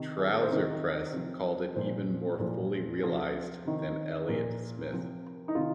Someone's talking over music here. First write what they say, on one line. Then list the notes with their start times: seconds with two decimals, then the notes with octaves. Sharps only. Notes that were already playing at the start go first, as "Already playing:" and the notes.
"Trouser Press" called it "even more fully realized" than "Elliott Smith".
Already playing: C3 D#3
0.18 G#4
0.42 C5
0.49 C3 D#3 A#4
1.12 C3 F3
1.75 A#2 F3 C5
2.39 A#2 F3
3.02 C3 F3
3.65 C3 D#3
4.28 A#2 F3 A#4
4.92 C3 F3
5.48 D#4
5.55 C3 D#3 F4